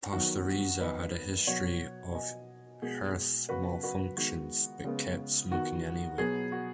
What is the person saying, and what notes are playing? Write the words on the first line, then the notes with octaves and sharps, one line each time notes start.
Pastoriza had a history of hearth malfunctons, but kept smoking anyway.
D#3 F#3 B3 F#4
D#3 F#3 B3 B4 D#5
B2 F#3 B3 C#5 F#5
B2 B3 D#5 G#5
B2 G#3 B3 G#4
C#3 F#3 B3 F#4 B4
F#4 B4
D#3 G#3 B3 F#4
C#3 G#3 B3
D#3 B3 F#4
B2 F#3 B3 G#4
F#4